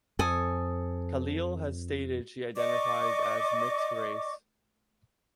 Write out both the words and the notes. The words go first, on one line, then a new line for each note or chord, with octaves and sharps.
Khalil has stated she identifies as mixed race.
F2 A4 G#5 D#6
D5 D#5 C#6 D6